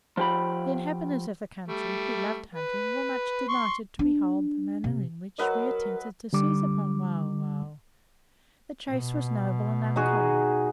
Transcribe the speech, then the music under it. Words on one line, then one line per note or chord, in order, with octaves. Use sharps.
The inhabitants of the country, who loved hunting, were much delighted to behold the manner in which we attempted to seize upon Wauwau; the chase was noble and uncommon.
F3 G4 B5
G3 A3
B4
C6 C#6
D4
C3
F#3 A#4 B4 D#5
D3 G3 D6
B2
D#4 F#4 G#4